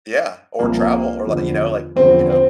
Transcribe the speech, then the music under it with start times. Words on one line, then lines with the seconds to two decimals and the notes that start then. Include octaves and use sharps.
yeah, or travel, or like you know, like you know,
0.59 C2 C3 F3 A#3
1.27 E2 D3 F3
1.96 E2 D3 F3 C4
2.30 C4